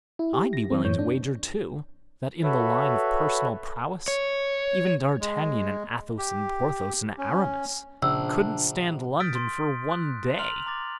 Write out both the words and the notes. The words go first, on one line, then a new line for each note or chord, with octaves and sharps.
"I'd be willing to wager too that, in the line of personal prowess, even D'Artagnan and Athos and Porthos and Aramis couldn't stand London for one day."
E4
G4
A#6
E3 C4
F#2 E3 C#5 G6
D4
F#4 A4 B4 C#5 E5 B5
C#5
G#3
G4
C#4
A#1 C#3 D4 E6
D#6 F6 G6 A6 B6 D7
C6
F#6
A#5 C6 F6 F7 F#7
A#5 D6 A6